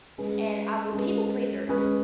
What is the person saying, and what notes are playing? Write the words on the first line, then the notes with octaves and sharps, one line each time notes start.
and I was a people pleaser,
G#3 C#4 G#4 B4
G#3 C#4 G#4 B4
G#3 C#4 G#4 B4